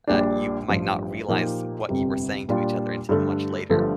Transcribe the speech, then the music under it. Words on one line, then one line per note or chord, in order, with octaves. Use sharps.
uh, you might not realize what you were saying to each other until much later.
A#1 A#2 G3 D4
A1 G2 F3
A#2 F3 A#3 D#4 G4
G1 F2 C3 G3
A#2 G3 D4 F4
G2 D3 A3
G1 G2 D3 F3 A3